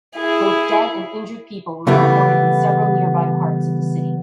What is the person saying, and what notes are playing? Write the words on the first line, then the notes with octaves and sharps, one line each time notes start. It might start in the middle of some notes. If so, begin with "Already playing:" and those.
Both dead and injured people were reported in several nearby parts of the city.
E4 G#4
C#3 E3 G3 A3 B3